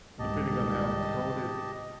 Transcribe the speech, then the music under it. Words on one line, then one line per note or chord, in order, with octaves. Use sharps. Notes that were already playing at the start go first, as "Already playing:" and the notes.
depending on how it's coded
C2 G#2 D#3 G4 D#5 A5